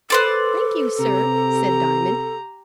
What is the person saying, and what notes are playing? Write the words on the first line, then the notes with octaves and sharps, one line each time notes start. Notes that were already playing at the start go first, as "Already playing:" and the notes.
"Thank you, sir," said Diamond.
A4 B4 C5 D5
C3 G4 A#5